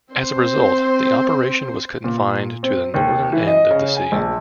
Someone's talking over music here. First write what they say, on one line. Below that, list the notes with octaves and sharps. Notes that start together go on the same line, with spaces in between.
As a result, the operation was confined to the northern end of the sea.
C4 C5
A#2
C4
D#2
E3
D#5
C#3
G#5
A#1